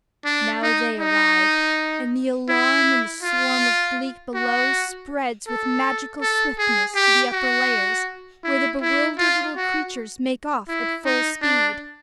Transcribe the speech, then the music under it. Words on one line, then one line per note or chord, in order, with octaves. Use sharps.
Now they arrive, and the alarm in the swarm of bleak below spreads with magical swiftness to the upper layers, where the bewildered little creatures make off at full speed.
D4
D#4
D#4
E4
F4
F#4
A4
A4
G#4
G4
F#4
E4
E4
F4
F#4
E4
D#4
D4